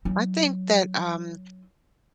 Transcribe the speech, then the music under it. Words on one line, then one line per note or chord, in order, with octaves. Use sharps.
I think that, um,
F#3 D#4